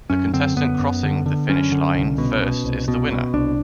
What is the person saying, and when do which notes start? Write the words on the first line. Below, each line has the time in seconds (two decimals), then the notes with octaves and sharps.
The contestant crossing the finish line first is the winner.
0.10 F#2 C#4
0.33 D3 C4
0.56 F#2 B3
0.79 F#2
1.03 D3
1.26 D3
1.49 F#2 C#4
1.72 D3
1.95 C2
2.18 B2
2.42 B2
2.64 C2
2.88 B2
3.11 B2
3.34 C2 D4